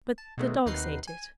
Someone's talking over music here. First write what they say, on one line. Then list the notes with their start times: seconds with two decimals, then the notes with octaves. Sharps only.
But the dogs ate it.'
0.18 A5
0.37 B2 D#3 F#3 G#3 A3 B3
0.66 D#2 C3 D#4 B4 F#5 C7
1.07 G#5